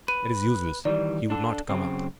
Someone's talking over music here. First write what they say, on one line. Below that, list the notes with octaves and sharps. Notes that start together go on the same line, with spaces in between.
"It is useless; he would not come up."
B4 D#7
D#3 E3 G3 D5
D4 A4
F#2 C#3 C4